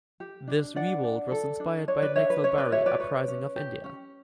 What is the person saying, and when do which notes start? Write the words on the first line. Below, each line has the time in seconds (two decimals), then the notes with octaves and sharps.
This revolt was inspired by Naxalbari uprising of India.
0.20 G4
0.48 D4
0.76 D4 D5 F#5
1.04 D4
1.32 A4
1.60 D4
1.88 D4 C#5
2.02 B4 D5
2.16 D4 C#5 E5
2.30 B4
2.44 C#4 C#5
2.58 B4 D5
2.72 F#4 C#5 E5
2.86 B4 D5
3.00 B4 C#5
3.28 C#4
3.56 G4
3.84 C#4